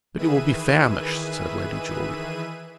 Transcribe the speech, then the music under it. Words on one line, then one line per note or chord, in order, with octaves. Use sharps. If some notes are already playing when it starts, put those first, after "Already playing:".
"But you will be famished," said Lady Julia.
D#3 E3 G#4 B4 E5 D#7